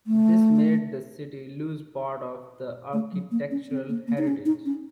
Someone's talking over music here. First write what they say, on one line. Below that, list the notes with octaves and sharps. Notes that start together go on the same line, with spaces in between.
This made the city lose part of the architectural heritage.
A3
A3
F#3
A#3
C#4
C4
A#3
A#3
D#4
C#4
D#4
C#4